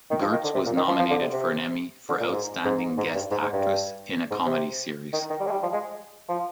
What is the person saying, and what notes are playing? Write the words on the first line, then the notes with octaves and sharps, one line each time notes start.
Gertz was nominated for an Emmy for Outstanding Guest Actress in a Comedy Series.
D#3
F3
D#3
D3
C3
A#2
D#3
F3
F3
D3
C3
C3
D3
A#2
G#2
G#2
G#2
G2
G#2
G#2
G2
G#2
C3
D#3
D#3
G3
G#3
G3
F3
G#3
F3